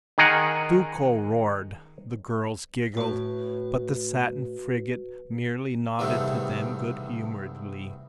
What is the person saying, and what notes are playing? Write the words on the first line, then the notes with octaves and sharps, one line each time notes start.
Duco roared, the girls giggled, but the Satin Frigate merely nodded to them good-humouredly.
D#3 G#4 A#4 D#5 F#5
A2 F#4 B4
E2 G2 C3 D#3 A3